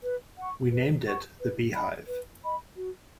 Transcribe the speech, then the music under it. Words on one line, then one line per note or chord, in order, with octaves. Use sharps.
We named it The Beehive.
B4
F#5 C#6
B4
F#5 C#6
B4
D#5 B5
B4
D#5 B5
F#4